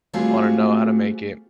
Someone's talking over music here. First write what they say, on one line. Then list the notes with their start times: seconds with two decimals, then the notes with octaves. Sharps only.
I wanna know how to make it.
0.13 G3 A3 C4 F4 F#4 G#4